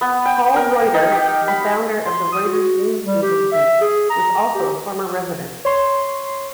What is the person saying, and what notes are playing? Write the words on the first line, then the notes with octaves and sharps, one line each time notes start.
Paul Reuter, the founder of the Reuters news agency, was also a former resident.
B3
G5
A#4
D#4
G4
B5
C6
D#6
F#4
G3
G4
E5
G#4
A#5
G4
C#5 C6